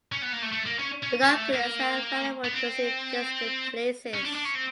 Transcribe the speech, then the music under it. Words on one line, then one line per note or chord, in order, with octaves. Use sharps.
Binoculars are available to see distant places.
C#4
B3
A#3
A3
A3
A#3
C#4
C#4
B3
A#3
A3
A#3
B3
C4
C#4
D4
D4
C#4
C4